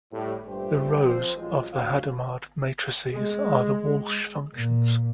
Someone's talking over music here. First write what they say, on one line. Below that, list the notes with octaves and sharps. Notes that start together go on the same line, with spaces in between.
The rows of the Hadamard matrices are the Walsh functions.
A2 G3
G2 A#2 A3 G4 C5 G5
F3 C4 C5
A1 F#3 G#3 F4
D2 F#4 C#5 F5
G#3
A#2